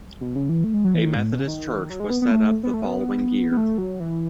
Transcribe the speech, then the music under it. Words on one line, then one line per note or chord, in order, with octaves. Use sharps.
A Methodist church was set up the following year.
B2
C#3
E3
A3
G#3
F#3
E3
D#3
G#2
A2
B2
C#3
D#3
F#3
G#3
B3
B3
A3
B3
A3
B3
B3
A3
F#3
E3